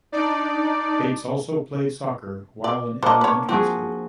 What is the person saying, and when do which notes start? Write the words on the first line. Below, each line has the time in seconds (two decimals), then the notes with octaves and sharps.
Bates also played soccer while in elementary school.
0.12 D4 D#4 D5
2.64 D5
3.03 A#3 D4 C5 D#5 F#5
3.21 B4 C#5
3.49 F3 C4 F#4 G#4